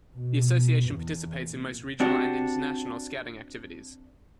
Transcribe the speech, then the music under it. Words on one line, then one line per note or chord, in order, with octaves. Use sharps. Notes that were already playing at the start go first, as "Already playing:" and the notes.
The Association participates in most regional and international Scouting activities.
B2
E2
A#2
C4 D4 F#4 G4